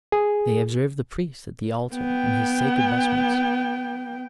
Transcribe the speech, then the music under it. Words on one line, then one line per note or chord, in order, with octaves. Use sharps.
They observed the Priest at the altar in his sacred vestments.
G#4
B3 G5